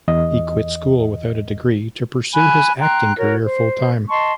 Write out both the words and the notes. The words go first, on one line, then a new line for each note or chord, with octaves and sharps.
He quit school without a degree to pursue his acting career full-time.
E2 D#5
G#5 B5 F#6
G5 A#5 C6 F#6
F#4 A#4 C#5
C5
D#5 A5 C6 C#6